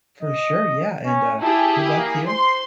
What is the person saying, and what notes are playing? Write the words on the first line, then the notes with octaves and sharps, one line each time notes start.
For sure, yeah and, uh, good luck to you.
D#5
C#4
E4 G4 G#4 A5
A#3
C5 C6